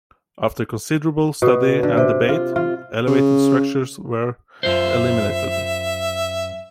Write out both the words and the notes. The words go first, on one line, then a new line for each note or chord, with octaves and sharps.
After considerable study and debate, elevated structures were eliminated.
B2
D3
C3
F4
F4
C#3
F#2 F4 C5 E5